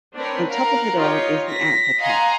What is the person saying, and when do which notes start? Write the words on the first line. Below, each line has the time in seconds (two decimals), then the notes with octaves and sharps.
On top of it all is the anther cap.
0.15 C4 D4 A#4 B4 C#5
0.47 A#4 F5 F#5
0.98 D#4 F4 G4 C#5 D#5
1.46 A#6 B6
1.99 D#5 F5 F#5 G#5 A#5 C6